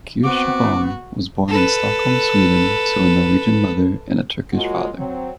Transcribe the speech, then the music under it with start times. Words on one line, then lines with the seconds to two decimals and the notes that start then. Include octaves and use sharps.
Kirsebom was born in Stockholm, Sweden, to a Norwegian mother and a Turkish father.
0.23 B3 C4 F#4 D6
1.48 A4 B4
4.53 F#3 G#3 A#3 F4 F#4
4.97 F#3 C4